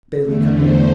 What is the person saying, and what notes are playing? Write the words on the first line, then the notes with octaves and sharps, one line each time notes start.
Bailey, come here.
E2 D3 A3
C5